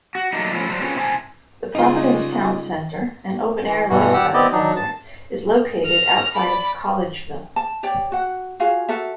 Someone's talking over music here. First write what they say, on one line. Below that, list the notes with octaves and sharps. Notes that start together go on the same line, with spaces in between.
The Providence Town Center, an open-air lifestyle center, is located outside of Collegeville.
F#4
F#3 A3 A#3 D4 D#4
F3 A3 C#4 E4
F#3 D4 C5
C4 C#4 F4 G#4 B4 C#5
C3 E4 C5 C#5 G#5 A5
C#3 G3 G#3 D#4 F4
E3
G2 B2 E3 G3 F#4
G3 G4 F#5 E6
B3 C4 E4 G4 D5 D#5
F#3 D4 D#4
A5
F6 A#6
D5 B5
A5
G4 C#5 D5 G5
F#4 F#5
F4 F#4 G#4 F5
F#4 A4 A#4 E5